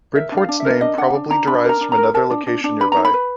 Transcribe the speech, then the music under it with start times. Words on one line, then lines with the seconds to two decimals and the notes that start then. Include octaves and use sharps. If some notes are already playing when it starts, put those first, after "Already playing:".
Bridport's name probably derives from another location nearby.
0.15 A#4 E5
0.32 D4
0.37 F5
0.49 D4
0.60 A#4 E5
0.81 D4 D#5
0.98 D4 F#5
1.15 D4
1.31 D4 A#5
1.47 D4 B5
1.64 A#4 A#5
1.81 D4
1.92 A#5
1.97 A#4
2.14 A#4 A5
2.30 D4
2.47 D4
2.64 D4
2.80 B4 B5
2.92 D#4 A#5
3.05 B5
3.14 B4